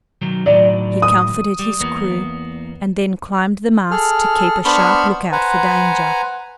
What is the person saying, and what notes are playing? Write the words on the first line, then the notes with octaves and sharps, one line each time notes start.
He comforted his crew, and then climbed the mast to keep a sharp lookout for danger.
B1 D#3 F#3
A2 D#3 F#3 D5
D#6
G3
E2 A#3 B3
G#4 A4 F6
B3 D4 C5 B5 C#6 F6
B4 C5 F#5 G#5 A#5